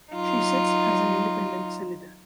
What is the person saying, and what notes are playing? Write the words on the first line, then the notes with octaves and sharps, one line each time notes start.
She sits as an independent Senator.
F#3 D#4 F4